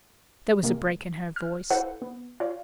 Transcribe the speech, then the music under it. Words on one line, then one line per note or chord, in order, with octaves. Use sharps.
There was a break in her voice.
C3 G#3 A#3
F6
E4 A4 B4 C5 F5 F#5
B3
F4 C#5 D5 F5